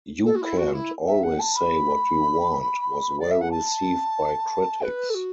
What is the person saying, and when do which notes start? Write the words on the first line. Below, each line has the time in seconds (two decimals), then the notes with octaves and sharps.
"You Kent Always Say What You Want" was well received by critics.
0.24 A4
0.35 F#4
0.41 E4
0.57 F#4
0.74 E4
1.06 E5
1.23 F#5
1.39 A5
1.55 B5
3.19 D5
3.30 E5
3.41 F#5
3.51 A5
4.81 B4
5.09 A4
5.14 F#4